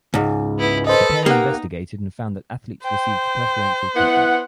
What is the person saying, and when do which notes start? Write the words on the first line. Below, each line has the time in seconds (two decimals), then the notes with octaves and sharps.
The pair investigated and found that athletes received preferential treatment.
0.14 C#2 G#2
0.59 B3 E4
0.87 A4 B4 C5 D#5
1.26 A#3 D#4 G4 F#5
2.84 C5 G5
3.95 B3 E4 F#5